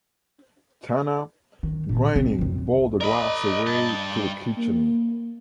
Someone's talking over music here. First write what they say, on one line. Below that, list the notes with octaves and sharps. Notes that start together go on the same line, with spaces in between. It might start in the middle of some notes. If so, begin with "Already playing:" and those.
Tana, grinning, bore the glass away to the kitchen.
D#3
A#2 C4
C4
B1 F2
A#4 D5 D#5 B5
G2 A5
A#3